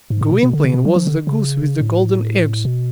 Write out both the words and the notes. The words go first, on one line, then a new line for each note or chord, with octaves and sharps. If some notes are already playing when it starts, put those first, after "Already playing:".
Gwynplaine was the goose with the golden eggs!
G#2
A2
B2
B2
D3
C#3
B2
F#3
F3
D3
C#3
A2
B2